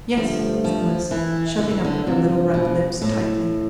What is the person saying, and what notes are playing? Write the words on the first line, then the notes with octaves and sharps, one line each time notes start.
"Yes," said Mliss, shutting up her little red lips tightly.
G2 D3 F3 A3
F3
E3
D3
E3
D3
G2 C3 F3 C4 F4
B2
A2